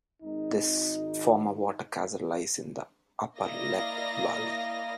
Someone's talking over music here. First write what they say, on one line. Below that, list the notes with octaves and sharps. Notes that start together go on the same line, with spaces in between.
This former water castle lies in the upper Leppe valley.
G#1 D#4
A#3 E4 D5 D#5 F5 A#6